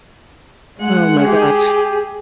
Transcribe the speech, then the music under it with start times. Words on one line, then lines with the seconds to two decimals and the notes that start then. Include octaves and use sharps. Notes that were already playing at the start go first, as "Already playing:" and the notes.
Oh my gosh.
0.78 G#3 F#5
1.23 G4 G#4